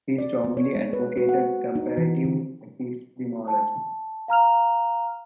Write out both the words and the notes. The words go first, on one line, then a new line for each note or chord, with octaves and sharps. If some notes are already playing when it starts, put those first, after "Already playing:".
He strongly advocated comparative epistemology.
D5
B3
C#5
G#3
B4
F#4
F#5
D#4
E3
D3
A5
F5 A#5 F6 F7